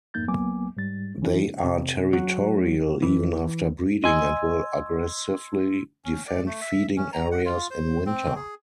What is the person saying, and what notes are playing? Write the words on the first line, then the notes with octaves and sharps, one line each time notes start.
They are territorial even after breeding, and will aggressively defend feeding areas in winter.
F2 G#2 A#3 D#4 G6 A6
C#2 F#3 A#3 B3 G#5 D6
G#2 G3 A6
E3 C#4 D4 E4
C3
F#3
E3
D#5 G#5 C6 E6 G#6
C#4
D5
A3
E5
C#4
A#5
F#5
F4
C5
C4
G#4